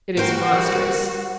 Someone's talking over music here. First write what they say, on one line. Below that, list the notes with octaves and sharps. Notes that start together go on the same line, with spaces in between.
It is monstrous.
G3 F#4 A#4 C5 G5